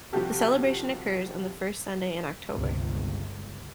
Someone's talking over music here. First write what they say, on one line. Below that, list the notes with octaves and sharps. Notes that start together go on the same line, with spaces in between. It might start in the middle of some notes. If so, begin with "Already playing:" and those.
The celebration occurs on the first Sunday in October.
C3 F3 G3 F#4 G4 A4
G1 C#2 C3